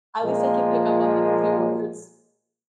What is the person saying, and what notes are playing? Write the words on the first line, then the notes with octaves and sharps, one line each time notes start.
at least I can pick up on like a few words
A#2 F3 G#3 A#3